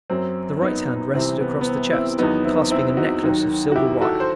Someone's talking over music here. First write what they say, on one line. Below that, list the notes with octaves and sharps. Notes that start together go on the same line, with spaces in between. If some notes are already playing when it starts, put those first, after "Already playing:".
The right hand rested across the chest, clasping a necklace of silver wire.
F#2 F#3 C4
B3 D#4
C2 C3 E3 C4
B3
B3
C4
C4 E4
E2 D#3 F#3 B3 D#4
C4 E4
C4 E4
D#4 F#4
D#2 D#3 F#3
F#4
E4 G4
F#4 A4
C5